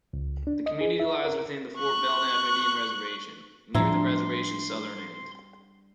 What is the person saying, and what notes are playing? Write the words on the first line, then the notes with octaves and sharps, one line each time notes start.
The community lies within the Fort Belknap Indian Reservation, near the reservation's southern end.
C#2
D4
D#5
G#4
E5
A#4
C#6 F#6
A2 F3 G3 D4 E4 E5 A#5 C6